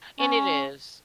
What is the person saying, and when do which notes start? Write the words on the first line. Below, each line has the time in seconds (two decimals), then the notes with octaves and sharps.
and it is,
0.19 C#4